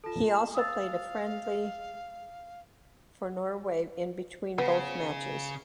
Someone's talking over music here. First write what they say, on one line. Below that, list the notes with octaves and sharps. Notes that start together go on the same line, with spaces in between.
He also played a friendly for Norway in between both matches.
F4 A4 A5
F5 D#6 E6 A6
C#3 B3